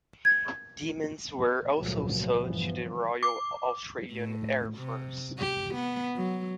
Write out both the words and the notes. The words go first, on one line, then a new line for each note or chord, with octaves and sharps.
Demons were also sold to the Royal Australian Air Force.
G#6
G#1 C#2 A#2 F3 F#3 A3
G1 E3 F3 B3
D6
A2
C3
G4
B3
F#3